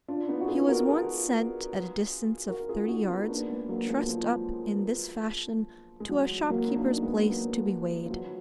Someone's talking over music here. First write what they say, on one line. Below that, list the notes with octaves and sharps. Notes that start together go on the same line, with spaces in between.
He was once sent a distance of thirty yards, trussed up in this fashion, to a shopkeeper's place, to be weighed.
D4 F4
B3 D#4
F#4
F4 G#4
F#4 A#4
F4 G#4
F#4 A#4
F4 G#4
D#4 F#4
B3 D#4
A#3 D4
G#3 B3
F#3 A#3
F3 G#3
F3
G#3
F#3
F#3 A#3
D#4
A#3 D4
G#3 B3
F#3 A#3
F3
F#3